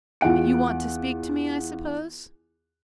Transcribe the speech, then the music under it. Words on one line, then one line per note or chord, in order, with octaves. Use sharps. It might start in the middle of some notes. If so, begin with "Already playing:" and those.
"But you want to speak to me, I suppose?"
E2 F4 F#5 D7